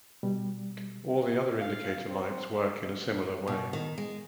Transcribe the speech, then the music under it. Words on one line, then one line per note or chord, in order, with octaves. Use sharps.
All the other indicator lights work in a similar way.
B2 G3
F5
C4
B2
D#3
G#3